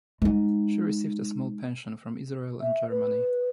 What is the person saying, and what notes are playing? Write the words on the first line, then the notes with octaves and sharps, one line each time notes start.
She received a small pension from Israel and Germany.
G#3 D#4
E5
B4